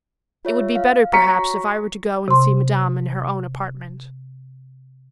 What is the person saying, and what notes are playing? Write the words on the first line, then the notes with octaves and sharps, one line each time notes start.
"It would be better, perhaps, if I were to go and see Madame in her own apartment."
F4 C#5 E5
F5
F#4 C#5 A#5 C#6 B6 C#7
C3 C6